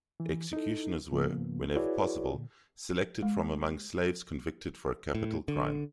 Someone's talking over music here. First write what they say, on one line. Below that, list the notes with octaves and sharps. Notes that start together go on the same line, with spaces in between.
Executioners were, whenever possible, selected from among slaves convicted for a capital crime.
E3
D#4 E4 A4
G#2 C#3 F3 A#3 B3
E4 F#4 G#4 B4 C#5 D5
A#2 D3
G#3
A2
D3